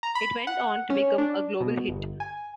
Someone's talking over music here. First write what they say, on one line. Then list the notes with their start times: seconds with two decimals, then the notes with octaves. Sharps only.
It went on to become a global hit.
0.03 A#5
0.15 B5
0.47 F#5
0.90 C#4
1.18 D4
1.61 B2
1.88 G1
2.20 G#5